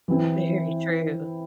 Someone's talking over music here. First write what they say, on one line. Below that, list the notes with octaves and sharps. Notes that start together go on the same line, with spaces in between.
Very true.
E3 C4 E4